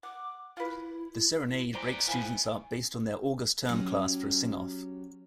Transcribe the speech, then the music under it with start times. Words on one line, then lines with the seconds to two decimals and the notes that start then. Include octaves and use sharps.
The serenade breaks students up based on their August Term class for a sing-off.
0.03 F#5 D6
0.57 E4 F4 B4
1.46 E4
1.74 B3 C5 D5 G5 G#5 A#5
2.07 F3 E4 C5 G#5
3.65 F#3 C#4 G4